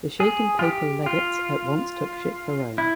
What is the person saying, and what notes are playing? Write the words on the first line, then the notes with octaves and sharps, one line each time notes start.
The shaken papal legates at once took ship for Rome.
G#4
F4
G4
F4
E4